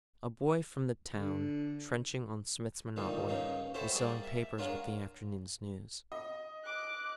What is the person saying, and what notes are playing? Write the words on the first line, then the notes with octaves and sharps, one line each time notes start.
A boy from the town, trenching on Smith's monopoly, was selling papers with the afternoon's news.
D3
D2 A#2 D#3 G3
G2 C#3 A#3 D#4
E4 F#4 G4 A4 C5 C#5
G3 A#3 G#4 D5
E5
G#3 D4 F4 F#4 A#4 C#5
D#5
D6 F#6